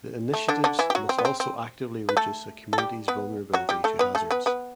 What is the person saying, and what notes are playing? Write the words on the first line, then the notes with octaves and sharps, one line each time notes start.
The initiatives must also actively reduce a community's vulnerability to hazards.
A3
D3 D4
D3 D4
E3 E4
G4
F#3 F#4
C4
B3
C4
C4
B4
A3 A4
A4
G3 G4
B3 B4
F#3 F#4
G3 G4
A3 A4
B3 B4
A3 A4
B3 B4
B3 B4